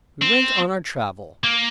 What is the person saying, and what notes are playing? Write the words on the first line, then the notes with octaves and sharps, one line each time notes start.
We went on our travel.
C4
A#3